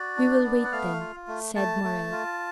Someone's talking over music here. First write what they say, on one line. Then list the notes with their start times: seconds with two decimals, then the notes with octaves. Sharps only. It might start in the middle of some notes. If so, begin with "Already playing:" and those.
"We will wait, then," said Morrel.
Already playing: F#4 D5
0.17 D4
0.44 B3
0.64 F#5
0.72 A3 F5
1.00 F4
1.28 A3
1.55 A3 A5
1.84 A3
2.12 F4